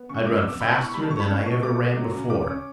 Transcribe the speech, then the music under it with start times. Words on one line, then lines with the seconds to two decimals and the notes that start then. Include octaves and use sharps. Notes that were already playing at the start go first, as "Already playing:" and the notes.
I'd run faster than I ever ran before.
Already playing: B3
0.09 C#3 C#6
0.26 C#3 D6
0.37 E6
0.43 B3
0.49 D6
0.61 B3 B5
0.71 B5
0.77 A2
0.83 C#6
0.94 G3 B5
1.03 A5
1.11 A2 C#6
1.20 B5
1.28 C#4 A5
1.45 B2 C#6
1.62 A3 D6
1.79 A3
1.96 F#3
2.14 C#3
2.30 C#3 D6
2.48 C#4